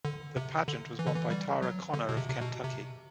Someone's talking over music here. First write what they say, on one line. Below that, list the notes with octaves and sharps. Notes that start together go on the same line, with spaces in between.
The pageant was won by Tara Conner of Kentucky.
D3
C3
D3
E3
D3
E3
G3
F#3
D3
B2
C3
C3
B2
C3